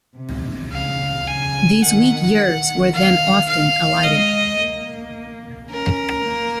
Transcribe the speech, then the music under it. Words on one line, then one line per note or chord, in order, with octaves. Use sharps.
These weak yers were then often elided.
C3
C#3 F5
C#3 G#5
D#3 F#5
D#3
F5
F5
G#3 D#5
A#3
C#4 A#4
A#3